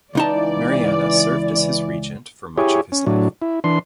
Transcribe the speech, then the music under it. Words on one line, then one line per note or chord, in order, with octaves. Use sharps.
Mariana served as his regent for much of his life.
C#2 E3 D#4 D5 A5
E4 G4 G#4 C#5
C#4
A2 F#3 D4
E4
E3 D4 C6